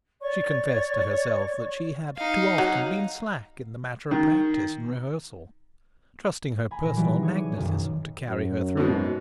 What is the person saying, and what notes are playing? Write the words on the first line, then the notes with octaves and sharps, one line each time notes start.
She confessed to herself that she had too often been slack in the matter of practice and rehearsal, trusting her personal magnetism to carry her through.
C#5 D5 C#6
D#4 F5
F#3
D#3
G#5 A#5 B5
A#2 D#3 A#6
E3 F#3 G3 G#4 B4 D7
G#4 C#5
C#6 D6 D#7
B1 F#2 D#3
F#2
G#2 B2